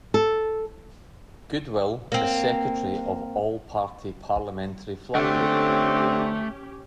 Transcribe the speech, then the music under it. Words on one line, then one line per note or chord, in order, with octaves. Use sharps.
Goodwill is secretary of the All Party Parliamentary Flag Group.
A4
A#3 C4
D3 A3 C4 C#4 G4